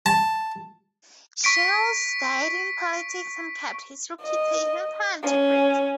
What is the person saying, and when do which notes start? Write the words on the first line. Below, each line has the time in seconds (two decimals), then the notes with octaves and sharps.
Shiels stayed in politics and kept his reputation for integrity.
0.06 A5
1.44 C#6 B6 D7
4.22 D#5
5.23 C#4